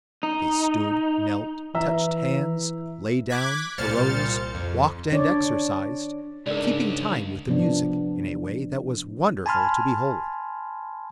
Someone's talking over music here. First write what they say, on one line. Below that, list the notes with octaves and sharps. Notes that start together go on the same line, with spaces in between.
They stood, knelt, touched hands, lay down, arose, walked and exercised, keeping time with the music in a way that was wonderful to behold.
D#4
E3 E5 A#5 E6
D6 F#6 G#6 B6
C2 A#2 C5 F6 A6 C#7
F2
D4 C#5 D5
C#2 G#2 D4 A#4 D5
C3 F3 B3 D4
G#5 A5 B5 C6 F6